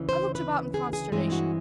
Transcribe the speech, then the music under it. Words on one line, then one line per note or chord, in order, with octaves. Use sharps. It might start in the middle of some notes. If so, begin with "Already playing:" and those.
I looked about in consternation.
Already playing: D2 C#3 E3
C5
B4
G#4
G#4
G2 E3 G#3 C4 G#4
F#4